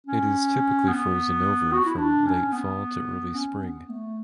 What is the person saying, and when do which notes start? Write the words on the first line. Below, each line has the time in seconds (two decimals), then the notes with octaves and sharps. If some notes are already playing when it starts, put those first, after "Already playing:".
It is typically frozen over from late fall to early spring.
0.07 C#4
0.88 B3
1.73 F#4
1.86 E4
1.98 D4
2.26 C#4
2.53 B3
3.35 C#4
3.63 B3
3.90 A3